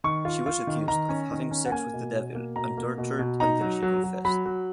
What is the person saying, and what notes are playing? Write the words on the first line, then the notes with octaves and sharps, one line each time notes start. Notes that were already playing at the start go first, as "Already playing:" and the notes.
She was accused of having sex with the devil and tortured until she confessed.
D#3 C#6
F4
F4
D#3
D#3 A#5
C#4
D#3
C#4
F#5
A#3 G#5
B2
B2
A#3
B2 A#5
A#3
B2
B2
D#4 A#5
F#3
F#3
F#3
F#3 B5
F#3